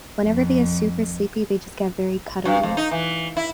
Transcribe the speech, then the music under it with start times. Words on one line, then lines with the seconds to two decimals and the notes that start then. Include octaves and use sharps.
whenever they get super sleepy, they just get very cuddly.
0.24 F2
2.45 G2
2.63 F2
2.77 D#4
2.91 E3
3.37 E4